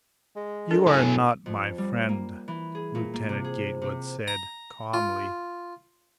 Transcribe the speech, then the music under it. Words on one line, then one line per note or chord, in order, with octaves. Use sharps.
"You are not my friend," Lieutenant Gatewood said calmly.
G#3
D4 A4 A#4
A2 F#3 G#4
F2
G3
A#3
E3
G#4
A#2
A#3
C3
G#4
C3
A#5
F4